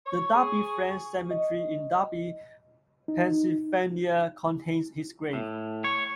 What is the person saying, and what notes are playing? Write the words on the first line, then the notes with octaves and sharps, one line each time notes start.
The Darby Friends Cemetery in Darby, Pennsylvania contains his grave.
C#5 C#6
G#4
D#5
D#4
A2
C#5